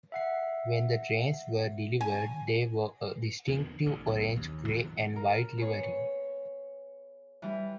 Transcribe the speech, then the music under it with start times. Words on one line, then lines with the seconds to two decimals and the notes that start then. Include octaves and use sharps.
When the trains were delivered they wore a distinctive orange, grey, and white livery.
0.12 E5 F#5 C7
2.01 G#5
3.48 E2 D3 D#3 F3
3.86 A1 D3
4.07 F#1 B1
4.36 D#2
4.68 B2 D#3 F#3 A3
5.16 A#4
5.57 B3 G#4 C#5
7.42 E3 G3